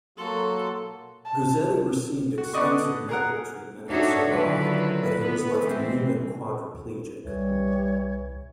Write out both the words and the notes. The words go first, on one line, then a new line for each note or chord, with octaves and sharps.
Guzzetti received extensive medical treatment and survived, but he was left mute and quadriplegic.
F#3 A#3 F#4 A4 C6
A5
F#4
D3 B3 D5 D#5 C#6
G#4 A#4 F#5
D4 D#4 F#4 A4 C#5 E5
D3 D#3 F#3 E4 F4 B4
B3 B4
E3 G#3 A3 C4
C2 E3 G3 C#5